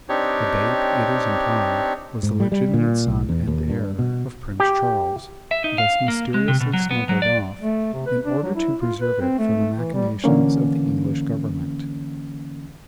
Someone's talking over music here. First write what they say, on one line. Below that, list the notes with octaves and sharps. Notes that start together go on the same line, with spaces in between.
The babe, it is implied, was the legitimate son and heir of Prince Charles, thus mysteriously smuggled off in order to preserve it from the machinations of the English government.
C4 D4 D#4 G4 C#5
G#2
G3
G3
A#2
B1
E2
D#2
G2
B2
G4
E5
D#4
F5
A#3
G#3
C3
B2
F#3
B3
F#3
D5
A3
C3
B4
D4
F#3
E4
F4
B4
C4
A3
E3
G3
D3 E3 A#3 C#4